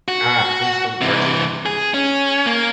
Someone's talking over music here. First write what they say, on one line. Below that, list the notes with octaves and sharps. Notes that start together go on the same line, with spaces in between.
Ah! Please, don’t barge in here! ...
F#4
C3 E3
G#4
C#4
A#3